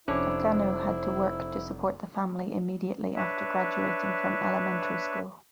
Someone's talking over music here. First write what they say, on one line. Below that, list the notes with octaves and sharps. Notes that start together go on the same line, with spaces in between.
Takano had to work to support the family immediately after graduating from elementary school.
F1 C#4 D4 E4 C5 C#5
D4 B4 C#5 E5